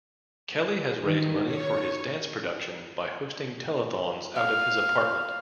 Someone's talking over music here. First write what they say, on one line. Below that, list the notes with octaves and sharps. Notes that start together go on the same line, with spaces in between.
Kelly has raised money for dance production by hosting telethons out of his apartment.
D#3
C#5
F5